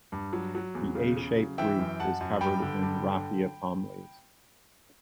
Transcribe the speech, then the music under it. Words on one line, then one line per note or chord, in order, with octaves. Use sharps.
The A-shaped roof is covered in raffia palm leaves.
G2
F#3
F#3
E2
C#3
C#3
F#3
E3 E5 G5
F#2
F#2 F#5 A5
F#2
G2 G5 B5
D3
G2
D3